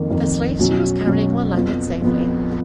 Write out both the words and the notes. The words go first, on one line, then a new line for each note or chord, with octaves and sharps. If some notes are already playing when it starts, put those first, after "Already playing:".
The slaves she was carrying were landed safely.
Already playing: F2 D#3 A#3
F2 D#3 A#3
B2 F#3 C#4 F#4
B2 F#3 C#4 F#4
F2 F3 B3 F4
F2 F3 B3 F4